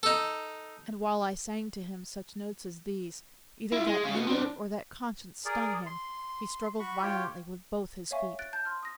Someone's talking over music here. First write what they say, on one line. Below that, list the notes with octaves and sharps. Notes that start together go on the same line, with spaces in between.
And while I sang to him such notes as these, Either that anger or that conscience stung him, He struggled violently with both his feet.
D#4 A4
E4 F4
G#3
C#4 F5
B3 F#4
C4 D4
G#4 A#4 D5
C6
F#4 B5 C#6
F4 G4 C#5 G5
C#5 D5 E5 F5 G#5 C#6
F#6 A6 D7
A5 G6
C6 F6
D#6 A#6